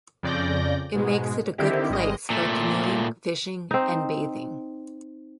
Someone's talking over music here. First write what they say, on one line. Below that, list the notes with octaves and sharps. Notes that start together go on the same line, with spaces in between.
It makes it a good place for canoeing, fishing and bathing.
F2 C#3 D5 G6 A#6
G#2 B2 G#3
D3 D#3 C4 E4 G4
G#1 G3 G#3 D#5
A#2 A3
C4 D#4